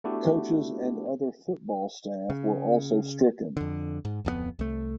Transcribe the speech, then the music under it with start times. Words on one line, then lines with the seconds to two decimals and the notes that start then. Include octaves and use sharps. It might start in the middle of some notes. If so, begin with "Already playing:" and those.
Coaches and other football staff were also stricken.
0.04 A3 B3 D4 E4 F#4 G4
2.30 C#3
3.57 F2 D3
4.05 G#2
4.25 D1 F2 F3 B3
4.59 C2 A3